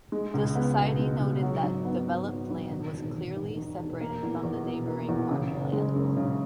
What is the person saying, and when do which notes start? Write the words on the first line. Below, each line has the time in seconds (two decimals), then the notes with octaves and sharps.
The Society noted that developed land was clearly separated from the neighboring farming land.
0.12 G#3
0.34 C#2
0.55 B3
0.78 B2
0.99 G#3
1.20 C#2
1.42 F#3
1.63 G#1
1.85 B3
2.07 G#2
2.28 F#3
2.50 G#1
2.71 D#3
2.93 E1
3.15 E1
3.36 D#2
3.57 D#3
3.79 E1
4.01 A#3
4.23 E2
4.43 E2
4.66 B2
4.88 A#3
5.09 E2
5.31 C#3
5.52 F#1
5.73 G#3
5.95 F#2
6.17 C#3